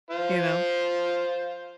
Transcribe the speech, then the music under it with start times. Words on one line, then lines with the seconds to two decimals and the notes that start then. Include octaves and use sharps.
You know?
0.11 F4 C5